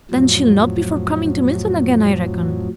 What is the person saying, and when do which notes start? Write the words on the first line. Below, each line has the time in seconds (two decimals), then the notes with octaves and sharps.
'Then she'll not be for coming to Milton again, I reckon.'
0.11 F2 A2 F3 F#3